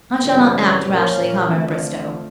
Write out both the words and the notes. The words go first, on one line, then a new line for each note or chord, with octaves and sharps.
I shall not act rashly, Comrade Bristow.
F#2 C#3 E3 G3 C4
A#2 F3 A#3 C#4
D3 F3 A3 C4